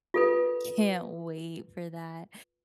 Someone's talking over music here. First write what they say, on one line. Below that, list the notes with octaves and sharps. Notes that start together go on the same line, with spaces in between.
can't wait for that.
F4 A4 B4